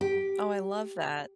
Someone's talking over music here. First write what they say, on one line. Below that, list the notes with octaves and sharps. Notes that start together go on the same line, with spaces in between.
Oh, I love that.
G4